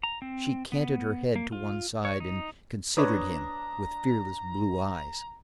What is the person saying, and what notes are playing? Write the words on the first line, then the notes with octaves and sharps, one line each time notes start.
She canted her head to one side and considered him with fearless blue eyes.
A#5
C4
B3
A#3
F4
C#5
D#4
D4 B4 C#5 A#5 D6 D#6